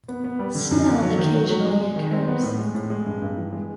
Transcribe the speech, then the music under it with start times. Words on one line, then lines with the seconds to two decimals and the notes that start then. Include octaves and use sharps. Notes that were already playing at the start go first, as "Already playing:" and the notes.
Snow occasionally occurs.
0.08 B3
0.24 B3
0.39 G3
0.55 D3
0.71 F#2
0.87 D3
1.02 F#3
1.18 D#3
1.34 F#3
1.49 F#3
1.65 G#3
1.81 G#3
1.96 D#3
2.12 C4
2.28 B3
2.43 A2
2.59 G#3
2.75 A2
2.90 G#3
3.06 G2
3.22 G2
3.38 E3
3.53 G#3